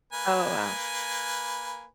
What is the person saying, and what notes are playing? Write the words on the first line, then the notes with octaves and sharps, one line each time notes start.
Oh, wow.
A#3 B4 G#5